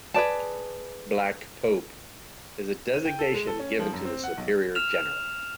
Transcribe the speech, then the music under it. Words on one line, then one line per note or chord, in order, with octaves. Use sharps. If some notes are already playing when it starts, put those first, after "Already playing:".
"Black Pope" is a designation given to the Superior General.
G#4 B4 D5 A5
D#7
G5
A4
G#3
A4
C#4
F3
F#2
C4
F#5
B1
F6 E7 F7